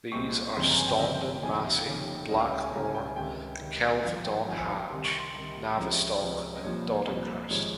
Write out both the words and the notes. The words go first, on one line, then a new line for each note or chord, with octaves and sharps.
These are Stondon Massey, Blackmore, Kelvedon Hatch, Navestock and Doddinghurst.
C2 A#2 G#3 C4 C#6
G1 F2 C#3 G#3 C4 C6
A#5
G#5
G5
G1 F2 C#3 G#3 C4 D#5
G5
F1 D#2 C#3 G#5
G5
F5
G5
F1 D#2 C#3
C#2 C#3 G3 C#4 D#5
F5
G5
G#5
C#2 C#3 G3 C#4 A#5
G#5
G5
G#5
C#2 C3 D#3 G5
C#2 C3 D#3
G#1 G2 F3 F5
G5
G#1 G2 F3 G#5
G#5
C6
G5
C2 C3 D#3 C6
C#6
C6
C2 C3 D#3
C#2 C3 F3 G#3 C#4 A#5
C#2 C3 F3 G#3 C#4
D#5
C2 A#2 F3 C#5
C2 A#2 F3
G#1 G#2 F3 G#3 C#5